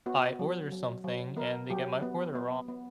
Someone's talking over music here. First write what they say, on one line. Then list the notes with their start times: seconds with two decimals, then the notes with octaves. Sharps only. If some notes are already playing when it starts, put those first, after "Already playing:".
I order something and they get my order,
0.06 B3 F#4
0.39 F#3
0.72 F#3
1.04 F#3
1.37 B3 A#4
1.70 F#3 G4
2.02 B3
2.35 B3
2.68 B3